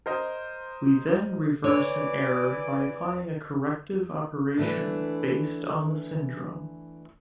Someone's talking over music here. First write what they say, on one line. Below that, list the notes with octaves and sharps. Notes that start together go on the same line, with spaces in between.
We then reverse an error by applying a corrective operation based on the syndrome.
A#4 C5 D#5
E3 C#5 D5
E3 A3 D4